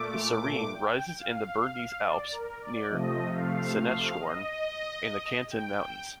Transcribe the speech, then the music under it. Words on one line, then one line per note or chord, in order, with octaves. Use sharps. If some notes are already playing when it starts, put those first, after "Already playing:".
The Sarine rises in the Bernese Alps, near Sanetschhorn, in the Canton of Valais.
Already playing: A#2 A3 D6
D6
G5
F5
F5
D5
A#4
D5
C3 F3 A3 D#5
F5
F5
D#5
G5
G5